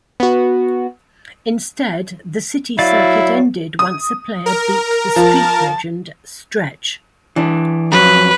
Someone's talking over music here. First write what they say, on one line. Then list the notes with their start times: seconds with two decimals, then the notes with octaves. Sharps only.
Instead, the City Circuit ended once a player beat the Street Legend "Stretch".
0.20 B3 F#4
2.79 F#3 E4 D5 F5
3.79 D#6
4.46 A#4
5.16 F3 A5
7.36 E3 D4
7.92 F2 F#3 B4